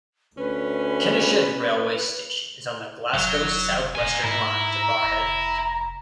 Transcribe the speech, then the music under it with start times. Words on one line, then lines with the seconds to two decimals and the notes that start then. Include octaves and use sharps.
Kennishead railway station is on the Glasgow South Western Line to Barrhead.
0.37 D2 C#4 B4
3.14 F1 F#3
3.95 E1 A#4 G#5
4.23 G#2 E4 A#5
5.03 F1 A#5